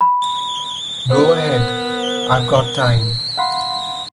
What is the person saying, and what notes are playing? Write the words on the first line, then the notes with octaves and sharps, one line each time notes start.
Go ahead, I've got time.
B5
B3 A#4 C5
F5 F#5 B5 C6